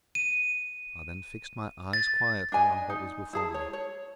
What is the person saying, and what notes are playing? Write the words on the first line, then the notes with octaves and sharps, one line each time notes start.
I then fixed my eyes quietly on what was before me.
D#7
A6
D4 D#5 G#5
D#4
E4 G#4 A5
C#5
C#5